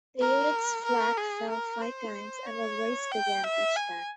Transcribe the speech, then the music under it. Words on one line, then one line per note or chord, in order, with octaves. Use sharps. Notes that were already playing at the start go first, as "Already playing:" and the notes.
The unit's flag fell five times and was raised again each time.
A#4
A#4
G#4
A#4
C5
C#5
G5
E5
G#5